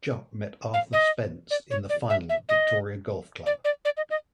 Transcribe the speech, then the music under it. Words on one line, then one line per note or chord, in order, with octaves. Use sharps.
Jupp met Arthur Spence in the final at Victoria Golf Club.
F5
D#5
D5
C#5
D5
E5
E5
D#5
D5
D5
D5
D#5
D#5